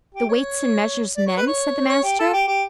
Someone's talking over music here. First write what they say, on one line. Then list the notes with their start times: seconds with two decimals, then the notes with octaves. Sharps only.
The weights and measures men! said the Master.
0.15 G4
0.29 C#5
1.17 D5
1.27 C#5
1.38 B4
1.47 C#5
1.89 C#5
2.04 G4
2.19 A4
2.33 G4
2.48 G4